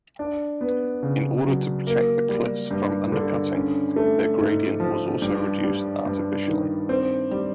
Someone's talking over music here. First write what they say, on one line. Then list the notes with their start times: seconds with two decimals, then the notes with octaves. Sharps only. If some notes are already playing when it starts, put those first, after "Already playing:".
In order to protect the cliffs from undercutting, their gradient was also reduced artificially.
0.19 D4
0.61 B3
1.03 C#3
1.45 F#3
1.87 A#3
2.29 G3
2.71 G2
3.12 D3
3.54 C#4
3.96 A3
4.38 G#2
4.80 F3
5.22 G2
5.64 G3
6.06 G2
6.48 D#3
6.89 C4
7.31 G3